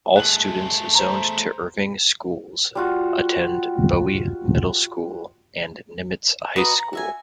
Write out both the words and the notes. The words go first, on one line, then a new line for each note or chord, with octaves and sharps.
All students zoned to Irving schools attend Bowie Middle School and Nimitz High School.
A3 G#4 F#6 F#7
C5 A#5
G3 F4 F#4
F#4 B4 D#5 A#5
A#5
F#4 E5 G#5